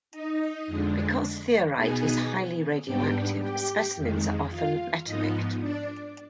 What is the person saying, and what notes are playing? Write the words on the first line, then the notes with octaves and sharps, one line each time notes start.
Because thorite is highly radioactive, specimens are often "metamict".
D#4 D#5
F2 D3 G#3 D4
B2 B3 D#4 G#4 G#5
G#2 G3 B3 D4 G4 G5
G4 G5
F2 D#3 G#3
F4 F5
G#2 F3 B3 D#4 D#5
D4 D5